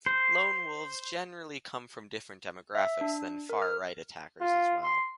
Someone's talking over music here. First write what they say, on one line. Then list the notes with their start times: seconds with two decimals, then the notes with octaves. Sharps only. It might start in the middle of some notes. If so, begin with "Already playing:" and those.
Lone wolves generally come from different demographics than far right attackers as well.
0.06 C5
2.75 E5
3.01 D4
3.49 A#4
3.62 F6
4.41 F4
4.83 C6